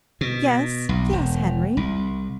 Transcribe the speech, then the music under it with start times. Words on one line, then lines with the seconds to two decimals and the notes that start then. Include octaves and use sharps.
"Yes--yes, Henry?"
0.21 B2
0.89 B1
1.13 E1
1.77 C2